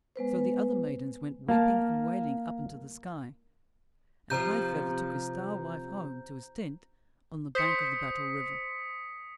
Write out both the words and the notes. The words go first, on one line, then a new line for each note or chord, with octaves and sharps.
So the other maidens went weeping and wailing up into the sky, and High-feather took his Star-wife home to his tent on the bank of the Battle River.
G#3 B3 B4 C5
A#3 F5 A5
C3 F3 C5 A#5 G6
C5 D#6 B6 C#7